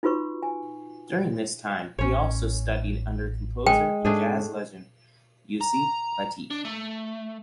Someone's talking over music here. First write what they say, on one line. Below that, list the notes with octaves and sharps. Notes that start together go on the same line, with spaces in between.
During this time, he also studied under composer and jazz legend, Yusef Lateef.
D#4 F4 F#4 B4 C#6
G#5
A1 C#4 C#5
G#3 G5
G#2 A3 D4 G#4
A#5
D4
A3